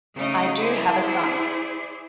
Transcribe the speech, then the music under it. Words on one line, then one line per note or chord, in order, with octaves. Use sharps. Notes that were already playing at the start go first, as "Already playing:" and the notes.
I do have a son.
C#3 A3 D#4 D#5
E4 G#4 C5 D5